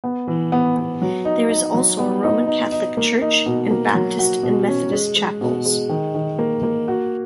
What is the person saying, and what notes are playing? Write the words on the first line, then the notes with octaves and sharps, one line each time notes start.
There is also a Roman Catholic church, and Baptist and Methodist chapels.
B3
E3
B3
B3
F#3
D#4
D#4
F#3
B3
D#4
D#4
D#4
A#3
D#4
B2
A#3
F#3
F#4
B2
C#4
G#3
G#3
B2
G#3
D#3
D#3
A#3
A#3
F#4